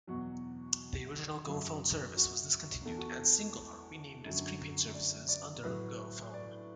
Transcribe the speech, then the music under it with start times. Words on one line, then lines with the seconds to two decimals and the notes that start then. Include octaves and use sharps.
The original GoPhone service was discontinued and Cingular renamed its prepaid services under GoPhone.
0.07 E2 B2 F#3 F#4
1.47 F#2 F#3
2.17 F#4
2.85 E2 E3 A4
2.98 F#4
3.12 A4
4.25 F#2 D3 F#3
4.94 D5
5.29 D5
5.63 A2 F#3 B4
6.34 D5